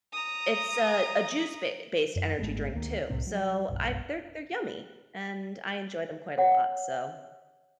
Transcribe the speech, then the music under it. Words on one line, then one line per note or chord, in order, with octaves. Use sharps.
It's a a juice ba based energy drink too, so I they're they're yummy, and I enjoy them quite a lot, so
A#5 D#6
F#2
G#1 G#3 A3 B3
D2 D#3 A#3
C2 A2 C3 C4
F#3 G3
F#1 B1 G2
C#5 F#5